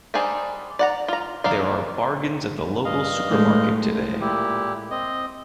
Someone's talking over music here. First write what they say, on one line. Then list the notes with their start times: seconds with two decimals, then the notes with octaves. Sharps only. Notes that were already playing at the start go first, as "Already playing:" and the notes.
There are bargains at the local supermarket today.
0.14 G3 D4 D#4 G#4 C5
0.79 D5 F#5 A#5
1.08 F4 A#5
1.44 D4 D#4 F5
2.85 G2 D#5 F5
3.31 A2 G#3
4.21 A#2 E4 G4
4.91 C4 D#5